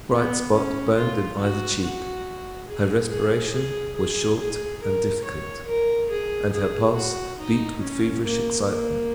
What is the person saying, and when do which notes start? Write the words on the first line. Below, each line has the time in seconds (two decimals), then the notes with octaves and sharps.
A bright spot burned in either cheek, her respiration was short and difficult, and her pulse beat with feverish excitement.
0.11 B3
0.53 C#4
0.96 F4
1.39 F#4
1.81 F#4
2.68 G#4
3.10 G#4
3.53 G#4
3.96 G#4
4.39 G#4
4.82 A#4
5.25 C#5
5.67 A#4
6.10 G#4
6.53 G#4
6.96 F#4
7.39 D#4
7.81 C#4
8.25 A#3
8.67 A#3